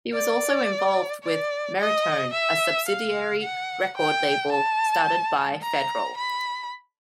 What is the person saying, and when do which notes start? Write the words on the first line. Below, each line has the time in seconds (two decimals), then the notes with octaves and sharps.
He was also involved with Merritone, a subsidiary record label started by Federal.
0.14 D5
1.23 D5
1.79 D#5
2.33 E5
2.88 F5
3.43 F#5
3.97 G5
4.52 A5
5.63 A#5
6.17 B5